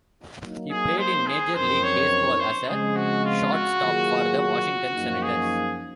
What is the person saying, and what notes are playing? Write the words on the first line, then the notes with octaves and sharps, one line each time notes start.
He played in Major League Baseball as a shortstop for the Washington Senators.
F#3 A#3 D#4
G#4
C5
G#4
F#2 F3 C4 D#4 A#4 C5
C#5
C5
C#3 F3 G#3 C4 G#4
F#4
F4
F#4
D#3 F#3 A#3 F4 G#4
F#4
F#2 F3 A#3 D#4
G#4